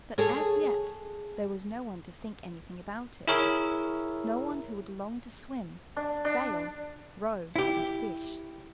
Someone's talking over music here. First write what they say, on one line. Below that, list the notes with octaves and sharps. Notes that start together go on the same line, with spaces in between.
But as yet there was no one to think anything about it, no one who would long to swim, sail, row, and fish.
G#4 A4 C#5
E4 G#4 A#4 C#5 E5
D4
D4
E4 G4